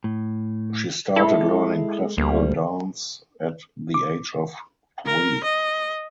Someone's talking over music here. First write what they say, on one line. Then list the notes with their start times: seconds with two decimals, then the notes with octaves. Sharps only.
She started learning classical dance at the age of three.
0.04 A2
1.16 G#3 E4 A4
2.18 D2 G3 A#3
3.94 D6
5.06 A#4
5.44 D#5